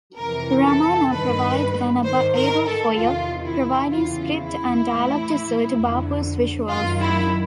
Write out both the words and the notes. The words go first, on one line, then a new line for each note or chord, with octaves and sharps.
Ramana provided an able foil, providing script and dialogue to suit Bapu's visuals.
F2 C3 E3 A#4
A4
G2 D#3 B4
G#2 D#3 C5
A#4
A4
E2 C3 D#3 F4
E4
E2 C#3 E3 F4
E4
A2 E3
F2 D3
F#2 D#3 F4
E4